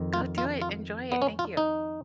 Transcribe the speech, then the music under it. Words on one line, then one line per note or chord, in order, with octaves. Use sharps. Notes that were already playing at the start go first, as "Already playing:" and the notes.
Go do it, enjoy it, thank you.
Already playing: F2 D#3
F4
F4
F4
B3
C#4
F4
D#4